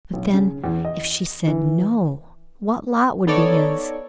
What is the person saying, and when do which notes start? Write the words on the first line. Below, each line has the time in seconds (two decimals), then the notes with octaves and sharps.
But then, if she said "no," what lot would be his?
0.14 B1
0.34 C#3
0.64 E2
0.85 D#5
1.47 E3
3.27 B3 D#4 A4 C#5 D5